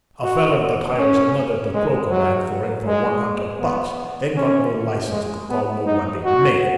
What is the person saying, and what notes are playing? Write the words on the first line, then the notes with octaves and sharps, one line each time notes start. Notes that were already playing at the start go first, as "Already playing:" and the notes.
"A fellow that hires another to croak a man for him for one hundred bucks ain't got no license to call nobody names."
F#4
C#4
G#3
F#3
G#3
B3
C#4
G#3
B3
D#4
F#4